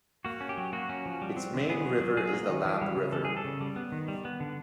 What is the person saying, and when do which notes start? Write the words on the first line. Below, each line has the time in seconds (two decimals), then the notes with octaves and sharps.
Its main river is the Lab River.
0.25 A#3 F#4
0.41 C#4
0.49 G4
0.57 F#3
0.73 A#3 F#4
0.89 C#4
1.06 F3
1.21 G3
1.37 C4
1.54 D3
1.69 B3 G#4
1.85 F#3
2.00 F#3
2.17 F#3 G#4
2.33 A#3
2.49 D#3
2.65 E3
2.81 G3
2.97 C#3
3.12 E3 A4
3.25 G3 G#4
3.37 A4
3.44 C#3
3.61 G3
3.76 B3
3.92 D#3
4.08 G3
4.25 B3
4.40 D3